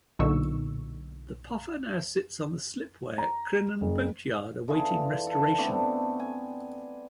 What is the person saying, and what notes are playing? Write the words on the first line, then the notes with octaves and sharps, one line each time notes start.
The puffer now sits on the slip way at Crinan boatyard awaiting restoration.
B1 A#2 D3 D#4 C#6 E6
A#5
F#1
D3 E3 F4 G#4
A4
A3 B3 C4 D4
G#5